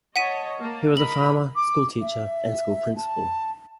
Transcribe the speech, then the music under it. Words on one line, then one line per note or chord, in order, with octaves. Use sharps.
He was a farmer, school teacher and school principal.
C#5 D#5 F#5 A5 B6 D#7
A#3 A5
A#4 D#5 B5 F#7
D6
E5
A5